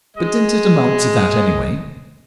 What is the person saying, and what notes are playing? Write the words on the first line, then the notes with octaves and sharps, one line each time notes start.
"But didn't it amount to that anyway?"
G#3 D#5